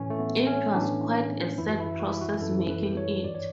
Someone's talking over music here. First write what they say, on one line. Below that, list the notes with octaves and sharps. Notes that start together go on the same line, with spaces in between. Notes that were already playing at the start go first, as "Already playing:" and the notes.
It was quite a sad process making it.
Already playing: A2 E3 C#4
A3
B3
C#4
A2 E3 D4
F#2 E3 E4
F#4
E4
F#4
E4
F#4
F#2 E3 A4
B4
C#5
G2 E3 D5
C#5